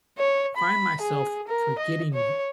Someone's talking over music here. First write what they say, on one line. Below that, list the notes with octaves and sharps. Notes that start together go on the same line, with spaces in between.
find myself forgetting v
C#5
B5
G#4
A#4
D#5
C#5